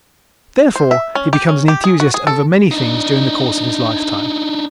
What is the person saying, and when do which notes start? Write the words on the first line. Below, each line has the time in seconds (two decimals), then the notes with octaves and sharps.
Therefore he becomes an enthusiast over many things during the course of his lifetime.
0.75 C5
0.91 E5
1.15 C#4
1.33 G4
1.49 C#4
1.68 G4
1.84 G#4
2.00 F#4
2.14 G#4
2.27 A4
2.71 D4 D#4